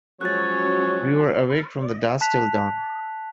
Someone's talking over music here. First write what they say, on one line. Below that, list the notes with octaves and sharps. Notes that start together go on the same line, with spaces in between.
We were awake from dusk till dawn.
F3 F#3 G#3 C#4 C#5 F#6 A6
A5 F#6 B6 F7